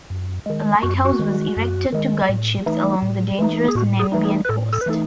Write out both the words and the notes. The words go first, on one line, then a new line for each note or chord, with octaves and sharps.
A lighthouse was erected to guide ships along the dangerous Namibian coast.
F#2
D#3 G#3
F#2 F#4
F#4
D#3 G#3
F#2
D#3 G#3
A2
E3 A3 D#4
A2
E3 A3 D#4
G#4
A2 F#4
G#4
E3 A3 D#4
G#4
B4
A2 A4
A4
B4
E3 A3 D#4 A4